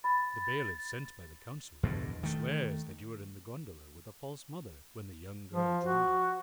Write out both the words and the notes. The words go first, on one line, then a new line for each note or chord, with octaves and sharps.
The bailiff sent by the Council swears that you were in the gondola with the false mother when the young girl joined her.
B5 A6
E2 G2 B2 D3
D#3 A3
F3
F#4